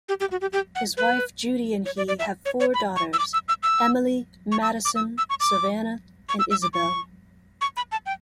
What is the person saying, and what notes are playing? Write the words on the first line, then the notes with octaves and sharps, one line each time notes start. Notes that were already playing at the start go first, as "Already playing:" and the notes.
His wife, Judy, and he have four daughters: Emily, Madison, Savanna and Isabelle.
G4
G4
F#4
G4
G4
F#5
B4
C#5
D5
D5
E5
C#5
C#5
B5
C#6
E6
D6
E6
E6
E6
C#6
E6
D6
E6
E6
C#6
D6
C#6
E6
E6
D6
C#6
C#6
B5
A5
G5